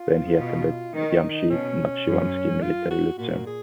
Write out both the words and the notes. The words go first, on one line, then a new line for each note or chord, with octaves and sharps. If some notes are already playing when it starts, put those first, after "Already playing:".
Then he attended Jamshid Nakhchivanski Military Lyceum.
Already playing: F4
B2
D#3 D#4
B2 C#4
F#2
F4
F#4
A#2 F#4
G#4